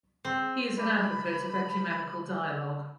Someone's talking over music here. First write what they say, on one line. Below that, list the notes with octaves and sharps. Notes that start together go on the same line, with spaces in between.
He is an advocate of ecumenical dialogue.
C4
D4 D#4 B4 B5